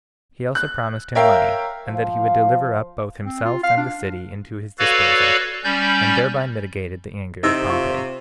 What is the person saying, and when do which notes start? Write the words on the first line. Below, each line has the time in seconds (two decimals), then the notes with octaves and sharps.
He also promised him money, and that he would deliver up both himself and the city into his disposal, and thereby mitigated the anger of Pompey.
0.55 F#6
1.15 A#4 C#5 E5 F5 G5
1.88 F3 F5
3.26 C4
3.45 F4
3.63 F5
3.77 D4
4.79 F#4 A4 B4 C#5 D5 F5
5.64 G3 C#4 D5 G6
7.43 C3 D#4 E6
7.69 F4 C#6